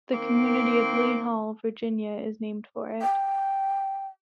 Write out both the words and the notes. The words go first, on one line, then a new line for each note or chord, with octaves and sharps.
The community of Lee Hall, Virginia is named for it.
D#3 A#3 C4
G5